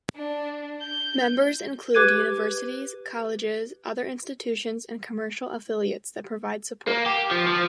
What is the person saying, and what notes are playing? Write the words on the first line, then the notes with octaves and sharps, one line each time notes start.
Members include universities, colleges, other institutions and commercial affiliates that provide support.
D4
G6
G4 B4 D6 F#6 G#6 D#7
A#3
G4
F3
F3